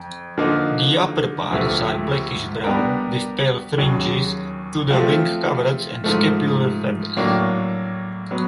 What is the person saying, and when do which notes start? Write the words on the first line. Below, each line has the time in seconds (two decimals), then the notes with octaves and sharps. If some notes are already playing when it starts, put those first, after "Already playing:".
The upperparts are blackish-brown with pale fringes to the wing-coverts and scapular feathers.
Already playing: F2
0.38 D3 F3 A#3 D#4
1.51 D2 C3 F3 A3
2.64 G3 B3 D4 G4 A#4
3.78 D#2 C#3 F#3
4.90 F3 A3 C4 F4
6.04 G#2 F3 A3
7.17 A2 F#3 A#3 D4
8.31 F#3 B3